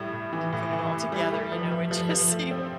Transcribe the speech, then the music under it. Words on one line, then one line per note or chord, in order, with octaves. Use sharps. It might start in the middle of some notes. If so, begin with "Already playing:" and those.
put it all together, you know, it just seemed
Already playing: A2 G3
A2
E3
A2
E3
A2
G3
A3
F3
F3
F3
F3
A3
C4